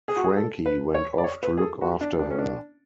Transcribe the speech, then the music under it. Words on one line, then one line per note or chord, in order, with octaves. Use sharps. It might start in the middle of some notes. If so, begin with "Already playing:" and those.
Frankie went off to look after her.
G#4
F#4
G#4
A4
B4
C#5
D5
C#5
B4
G#4
A4
F#4
D4
D4
C#4
D4